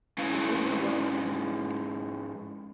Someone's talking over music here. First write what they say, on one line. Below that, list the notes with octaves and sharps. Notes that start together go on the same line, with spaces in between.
The logo was stamped on it.
G#2 C#4 E4 B4 F5